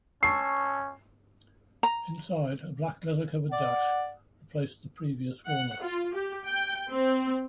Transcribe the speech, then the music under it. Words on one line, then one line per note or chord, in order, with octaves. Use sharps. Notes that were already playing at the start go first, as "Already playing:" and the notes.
Inside, a black leather-covered dash replaced the previous walnut.
C#4 A5 C#6 E6 C7
A#5
D5 F#5
F#5
F4
G4
G5
C4